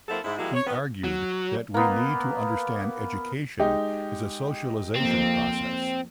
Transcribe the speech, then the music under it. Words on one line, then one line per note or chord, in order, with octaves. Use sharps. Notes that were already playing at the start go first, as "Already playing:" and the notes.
He argued that we need to understand "education" as a socialization process.
F#3 A#3 C4 E4 A4
G#2 E4
F3 G3 G#3 A#3 E4 F#4
C#5
D#3 B3
F#3
A#3 B3
G#3 D#4 G4
F2 A#3 C4